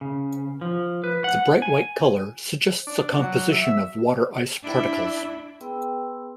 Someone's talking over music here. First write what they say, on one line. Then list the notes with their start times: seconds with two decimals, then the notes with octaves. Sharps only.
The bright white color suggests a composition of water ice particles.
0.01 C#3
0.61 F3
1.04 B4
1.24 F#5
1.62 G#5
2.87 D4
3.19 F#3
3.52 E5
4.63 D4 E4
5.60 B3 G#4 B4 G5 C6 E6